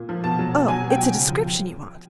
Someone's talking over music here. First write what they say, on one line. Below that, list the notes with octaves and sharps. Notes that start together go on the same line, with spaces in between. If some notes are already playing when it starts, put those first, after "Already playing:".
"Oh, it's a description you want?"
Already playing: A#2
F3
B2 A5
F#3
B2
F#3 G#5
B2
G5
F#3
C#3
F3